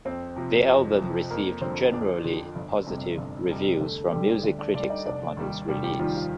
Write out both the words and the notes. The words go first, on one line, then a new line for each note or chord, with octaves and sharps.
The album received generally positive reviews from music critics upon its release.
F2 C4 C5
C3 F3
F2
C3 F3
F2 A#3 A#4
D3 F3 C4 C5
F2 D4 D5
D3 F3
G1
F2 C3 G3
G1
F2 C3 G3
G4
D2 A3 A4
D3 G3 G4
D2 D4 D5
D4 D5
D3 G3 D4 D5
D#4 D#5
F1 D4 D5
D#2 D#3 G3
F1 G3 G4
G3 G4
D#2 D#3 F3 G3 F4
F3 F4